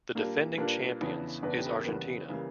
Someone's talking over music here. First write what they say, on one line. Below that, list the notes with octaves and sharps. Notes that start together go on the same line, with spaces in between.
The defending champions is Argentina.
A#2 G3 A#3 D4
A#2 G3 A#3 D4 B4
E2 C#3 E3 B3 D4
E2 C#3 E3 B3 D4 B4
G4
B4
A#4
E2 C#3 E3 G3 A#3 B4
C#3 E3 G3 A#3